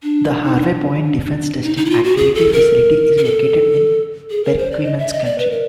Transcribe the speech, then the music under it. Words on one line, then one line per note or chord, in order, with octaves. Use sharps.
The Harvey Point Defense Testing Activity facility is located in Perquimans County.
D4
D#4
D4
D#4
D#4
E4
F4
F#4
G#4
A4
A#4
A#4
A4
G#4
A#4
C5
D5
D#5
E5
D#5
D5
B4
A#4